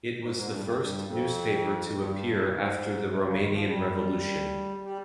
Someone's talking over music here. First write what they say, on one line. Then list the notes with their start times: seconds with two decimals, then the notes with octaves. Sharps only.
It was the first newspaper to appear after the Romanian Revolution.
0.20 G#2
0.34 G#2
0.48 G2
0.63 F2
0.78 G2
1.06 F2
1.94 G2
2.31 C3
2.41 A#2
2.52 G#2
3.10 C3
3.24 C#3
3.39 D#3
3.53 F3
3.68 G3
4.85 G3